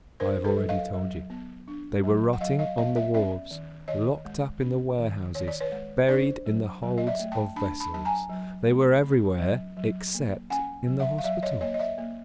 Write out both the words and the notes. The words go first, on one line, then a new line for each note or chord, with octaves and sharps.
I have already told you; they were rotting on the wharves, locked up in the warehouses, buried in the holds of vessels; they were everywhere except in the hospitals.
D4 A#4 C5
A4 B4
F#3
D#5 F5
F#3
B3
D4
F#3
F#5
F#3 D#5 F5
D#5 F5
B3 D#5 F5
D5 E5
C#4 D5 E5
D#3
D#3 C#5 D#5
G#3
C#4
D#3
D#3 C#5
D5
B4 C#5
G#3
D4 C5 D5
F#3
F#3
D#5
D5 E5
A3
G5 A5
D4 A5 B5
A5 B5
F#3 A5
G#5 A#5
F#3
A3
C#4
F#3
F#3
A#3
C#4 F#5 G#5
F#3
E5 F#5
F5
F#3 D5 E5
C#5 D#5
A#3 C#5 D#5
D#5
D5 E5
A#3